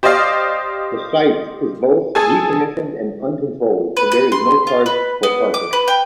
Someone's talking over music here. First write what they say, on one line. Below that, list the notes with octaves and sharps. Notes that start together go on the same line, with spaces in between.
The site is both decommissioned and uncontrolled, and there is no charge for parking.
G4 C5 D5 D#5 F5
G#4 A4 G#5
B4
B4
C6
F4
B4
B3
D6
B4
G5